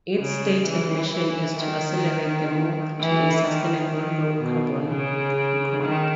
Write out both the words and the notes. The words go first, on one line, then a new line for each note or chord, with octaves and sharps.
Its stated mission is to accelerate the move to a sustainable, low carbon economy.
C#3
E3
E3
D#3
E3
D#3
D#3
B2
C#3
D#3